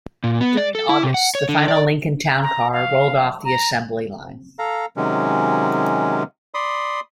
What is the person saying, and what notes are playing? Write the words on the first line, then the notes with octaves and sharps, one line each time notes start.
During August, the final Lincoln Town Car rolled off the assembly line.
A#2
B3
D5
A4
E4
C3
F#5
C#5
D3
D5
A#5
F5
A#5
A4 F5 A#5
C3 D#3 F#3 G#3 C#4
D5 B5 C6 D#6